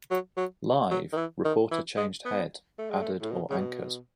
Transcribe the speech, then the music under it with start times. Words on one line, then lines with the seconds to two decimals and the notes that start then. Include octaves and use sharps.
Live, reporter changed head, added or anchors.
0.11 F#3
0.37 F#3
0.91 F#3
1.13 D#3
1.17 E3
1.45 D#3
1.71 E3
1.97 G#3
2.25 B3
2.79 A3
2.90 G#3
3.02 A3
3.22 A2
3.31 B2
3.50 C#3
3.58 B2